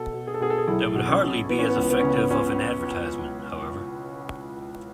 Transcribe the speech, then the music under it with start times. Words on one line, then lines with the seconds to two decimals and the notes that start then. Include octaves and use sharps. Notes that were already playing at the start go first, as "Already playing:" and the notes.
That would hardly be as effective of an advertisement, however.
Already playing: B2 A4
0.13 B2
0.27 G#4
0.34 A4
0.40 B2 G#4
0.50 A4
0.58 G#4
0.68 B1 E4
0.95 B2
1.08 C#4
1.22 B2
1.49 E3 B3
1.59 C#4
1.69 B3
1.76 C#2
1.90 B3
1.99 C#4
2.04 C#3 B3
2.31 C#2 C#4